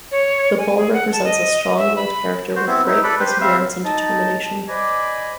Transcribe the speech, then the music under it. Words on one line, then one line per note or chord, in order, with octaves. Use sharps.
The Bull represents a strong-willed character with great perseverance and determination.
C#5
G#5
G#4
F#5
A5
D#5
E5
B5
F#4 C5
B3 C4 E4
D#4 E4
A4 B4 D5 B5
G4 B4 C5
G3 C4 E5 F5
D#4 D#5 A5
C5 D5 D#5 G#5 B5 D6